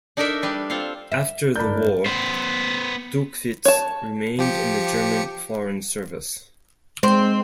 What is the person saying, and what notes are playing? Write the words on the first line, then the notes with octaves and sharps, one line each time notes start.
After the war, Duckwitz remained in the German foreign service.
D4 D#4 A4 A#4 D5 E5
G3 D4 B4
C4 F4 A4 F5
E5
G1 G#2 D4 A#4 B5 G6
B3 C5
C#5 A5
F3 G4 C#7
G#3 C4